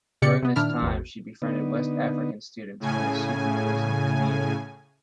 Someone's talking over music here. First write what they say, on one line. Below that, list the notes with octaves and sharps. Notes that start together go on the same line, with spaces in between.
During this time, she befriended West African students from a Sufi Muslim community.
A#2 C#3 G4 D5 C#7
C3 B3
A#2 D#3 D4 E4 F6
A1 E2 B2
D3 B3 D#4
A2 C#3 G#5